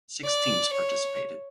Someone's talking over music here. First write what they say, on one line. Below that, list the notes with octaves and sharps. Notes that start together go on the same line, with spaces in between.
Six teams participated.
D5
C#5